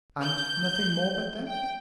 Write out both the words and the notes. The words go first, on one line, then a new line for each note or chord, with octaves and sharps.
"And nothing more but them?"
G6
G5